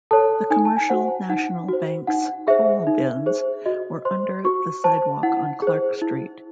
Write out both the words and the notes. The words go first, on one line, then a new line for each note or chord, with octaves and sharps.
The Commercial National Bank's coal bins were under the sidewalk on Clark Street.
A4 C#5 A5
D#4 G#5
A5
G#5
F#4 C5 F#5
D#4 F#5
F#4 C5
D#4 F#5
G#4 C5 E5
D#4
G#4 C5
F#4 D#5
C5 C6
F#4 C#6
C5 A5
E4 F#5
G#4 C5
E4